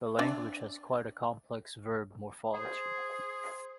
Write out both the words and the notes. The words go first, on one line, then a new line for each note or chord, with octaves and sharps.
The language has a quite complex verb morphology.
D4 D5 E5
G#4 C5